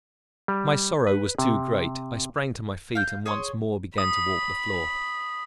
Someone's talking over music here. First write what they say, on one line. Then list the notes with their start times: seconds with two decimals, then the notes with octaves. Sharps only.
My sorrow was too great; I sprang to my feet and once more began to walk the floor.
0.48 G3
1.07 B4
1.39 C3
2.95 F5 G6
3.26 G#4 C#5 C6
3.98 B5 D#6